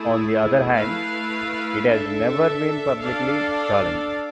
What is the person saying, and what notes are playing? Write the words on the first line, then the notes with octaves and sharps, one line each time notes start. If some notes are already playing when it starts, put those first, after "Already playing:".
On the other hand, it has never been publicly challenged.
Already playing: A3 E4 G#4
A3 E4 B4 F5
D4 A4 E5
D4 A4 D5 F5